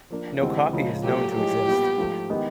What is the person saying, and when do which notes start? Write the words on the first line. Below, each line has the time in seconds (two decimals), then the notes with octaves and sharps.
No copy is known to exist.
0.11 F3 A#3 D4
0.42 D2 C3 E3 G#3 C4
0.73 C#2 C#3 F3 G#3
1.04 A#2 F#3 A3 G4
1.35 A2 F3 G#3 G4
1.67 A#2 G3 B3
1.98 G#2 F3 A3
2.30 D#3 G#3 B3 D#4 G4